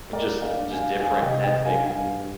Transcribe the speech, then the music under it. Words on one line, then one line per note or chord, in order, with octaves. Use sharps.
just just different ethnic
A#3 A#4 D5
A#3
D5 F5
D4
F5 G#5
D4
D#3 F5 G#5
C3 D#5 G5
D#3 D#5 G5
D4 F5 G#5
G2 F5 G#5
G2